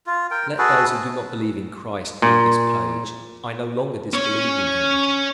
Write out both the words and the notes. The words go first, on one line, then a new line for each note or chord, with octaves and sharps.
Let those who do not believe in Christ read this page; I no longer disbelieved in him.
F4
A#4 G5
F#4 G#4 A4 B4
A#2
C#4 C#5